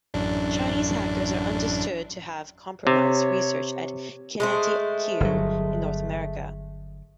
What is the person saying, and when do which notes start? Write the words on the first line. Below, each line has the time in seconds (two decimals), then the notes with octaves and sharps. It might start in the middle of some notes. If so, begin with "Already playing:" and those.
Chinese hackers are understood to have compromised research at QinetiQ in North America.
0.14 A1 F#2 D4
2.87 C3 C#5
4.40 G#3 A3 C5
5.20 G1 F#3